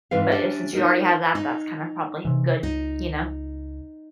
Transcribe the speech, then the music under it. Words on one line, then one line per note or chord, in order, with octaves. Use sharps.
but, uh, since you already have that, that's kinda probably good. You know,
G#2 E3 C4 B4 E5 F5
C#4 D4 G4 D5 E5
C#4 D#4 A#4 D#5
D#4
C3 E3
C#2 D#4